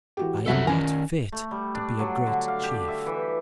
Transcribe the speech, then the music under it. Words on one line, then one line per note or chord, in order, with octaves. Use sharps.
I am not fit to be a great chief.
E3 F#4 G4
C2 F#2 A4 E5 F#5
D#3 C#4 A#4 G#5
A3
G3
D4
F#3
D3
F5
G4
E5
E3